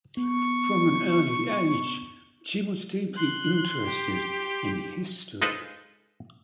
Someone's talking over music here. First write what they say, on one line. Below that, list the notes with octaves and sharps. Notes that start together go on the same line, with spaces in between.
From an early age, she was deeply interested in history.
B3 C#6
C6 F#6
G4
G#3 D#4 F4 A4 B4 C5